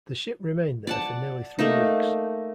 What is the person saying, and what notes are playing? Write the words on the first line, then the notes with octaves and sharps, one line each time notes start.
The ship remained there for nearly three weeks.
D5 F#5 A5
A3 A#3 D#4